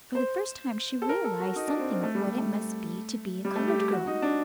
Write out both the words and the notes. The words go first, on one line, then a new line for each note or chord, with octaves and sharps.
For the first time she realized something of what it must be to be a colored girl.
C5
A4
A#4
A4
F#4
D#4
D4
C4
C4
A3
G3
G3
A3
G3
A3
G4
G4
F#4
D#4
D4